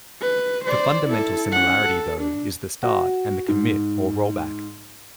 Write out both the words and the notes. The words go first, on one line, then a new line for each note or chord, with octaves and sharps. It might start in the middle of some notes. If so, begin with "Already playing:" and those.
The fundamental similarity though is the start and the commit or rollback.
B4
C5 D5
E4 A4
C#4 F#5
A4
D4
F#4
G#2